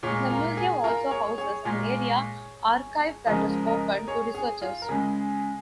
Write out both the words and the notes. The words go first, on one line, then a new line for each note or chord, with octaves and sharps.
The museum also houses an area archive that is open to researchers.
A#2 G#3 G#4 C#5
F4 A#4
G#4
F4 A#4
G#4 C#5
G#4 C#5
A#2 G#3
C#3 F3 G#3 A#4 D#5
A#4 D#5
G#4 C#5
G#4
F4
A#4
C#3 G#3 G#4